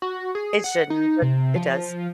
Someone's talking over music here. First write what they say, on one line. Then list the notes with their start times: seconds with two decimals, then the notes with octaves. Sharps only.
It shouldn't, but it does.
0.02 F#4
0.35 G#4
0.64 F#5
0.90 D#4
1.22 C3
1.56 F3